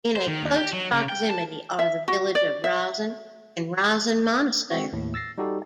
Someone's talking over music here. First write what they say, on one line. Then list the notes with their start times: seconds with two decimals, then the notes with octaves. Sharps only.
In a close proximity are the village of Rozhen and Rozhen Monastery.
0.16 C5
0.28 D#3
0.43 D#2
0.57 G4
0.73 F#3
0.93 C#3
1.09 G5
1.30 A5
1.79 E5
2.08 F#4
2.35 D5
2.64 E5
4.71 G#3 C4 F#4
4.93 D#2 A2
5.14 E6 A6 A#6 C7
5.38 G3 D#4 F#4 G4 A4